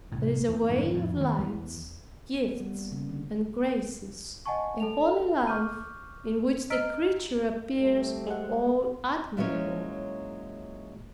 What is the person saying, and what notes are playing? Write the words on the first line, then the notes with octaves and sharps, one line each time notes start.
There is a way of lights, gifts and graces, a holy life in which the creature appears all admirable.
C2 A2
E2
F#2 A2 D3 D#3
F2 A2
D#3 G#3
E2 E3
B3
G3
A#3
C#3
D3
D#5 F#5 G#5 A5 C#6
A4 A5 F7
C#6 D6 F6 G6 D#7
D#5 A#5 E6 F6 B6 D7
G3 A3 C4
G#3 A4 F#5
A#2 E3 F#3 G#3 C#4 C#5